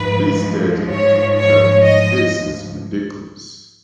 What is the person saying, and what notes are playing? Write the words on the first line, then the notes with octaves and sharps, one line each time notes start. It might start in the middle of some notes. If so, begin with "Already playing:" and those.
He stated that This is ridiculous.
Already playing: G#2 F3 B4
C#5
C#5
D#5